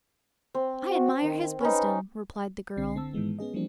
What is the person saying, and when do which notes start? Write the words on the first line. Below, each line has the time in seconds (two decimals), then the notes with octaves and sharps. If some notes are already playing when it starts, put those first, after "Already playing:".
"I admire his wisdom," replied the girl.
0.54 C4
0.90 F#4
1.22 D#3
1.60 C#4 D#4 B4
2.77 B1 D3 C4 C7
2.95 D3 C4 A5 E6
3.13 G#2 D#3 E3 G#3 B3
3.39 B3 C#4 G#4 D#5
3.54 E3 F3 G3 A#3 C4 D4